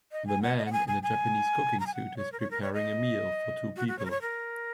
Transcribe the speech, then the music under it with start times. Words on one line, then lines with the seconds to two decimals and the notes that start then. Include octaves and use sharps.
The man in a Japanese cooking suit is preparing a meal for two people.
0.12 D#5
0.27 G#5
0.42 F#5
0.58 D#5
0.66 F#5
0.73 G#5
0.88 G#5
1.03 G#5
1.80 A#5
1.87 G#5
1.94 F#5
2.17 C#5
2.32 A#4
2.40 C#5
2.51 A#4
2.62 C#5
2.74 D#5
3.76 F#4
3.88 F#4
3.99 C#5
4.05 A#4
4.10 C#5
4.22 A#4